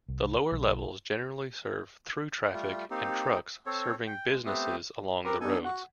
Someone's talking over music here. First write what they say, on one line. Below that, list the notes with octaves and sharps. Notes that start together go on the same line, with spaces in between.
The lower levels generally serve through-traffic and trucks serving businesses along the roads.
C2
B1
G3 A3 F4
A#3 C4 D#4 G4
C4 A4 C#5
G5
G#3
A3 B3 C4 G4
C4 G4 A#4 B4
B3 D4 D#4 A4 G#5
F#4 F#5